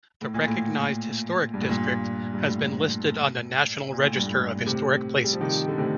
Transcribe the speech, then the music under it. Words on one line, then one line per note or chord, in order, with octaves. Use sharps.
The recognized Historic District has been listed on the National Register of Historic Places.
A2
A#2
A2
G2
A2
G2 A#2
G2
A2
A#2
A2
G2
A2
A2 C3
G3
F3
C3 D#3
D3
A2 C3